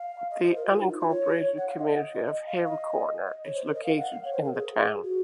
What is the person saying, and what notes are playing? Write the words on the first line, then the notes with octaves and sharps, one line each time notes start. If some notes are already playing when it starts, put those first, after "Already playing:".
The unincorporated community of Hale Corner is located in the town.
Already playing: F5
D#5
C5
A#4
F#4
F4
D#4
F4
F4
C#5
F#5
F5
D#5
D#5
F5
D#5
C#5
C5
A#4
D#5
F5
F#5
F5
C#5
C5
A#4
G#4
F#4